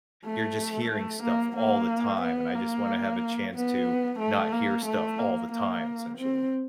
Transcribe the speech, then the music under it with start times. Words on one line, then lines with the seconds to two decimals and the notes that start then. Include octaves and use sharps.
you're just hearing stuff all the time and I just wanna have a chance to not hear stuff all the time, essentially.
0.25 A3
0.90 A3
1.23 A#3
1.56 A#3
2.22 B3
2.55 A#3
3.54 B3
4.20 A3
4.53 A#3
4.86 A3
5.19 A#3
5.52 A#3
6.18 C4